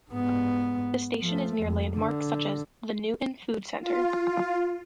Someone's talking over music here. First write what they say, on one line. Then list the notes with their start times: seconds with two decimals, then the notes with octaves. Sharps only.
The station is near landmarks such as the Newton Food Centre.
0.10 G#2 B3
1.21 F3 A3
1.61 F2
1.95 D3
3.81 F4